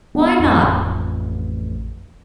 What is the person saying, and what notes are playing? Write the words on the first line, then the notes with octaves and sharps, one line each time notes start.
Why not?
B3
A1 F2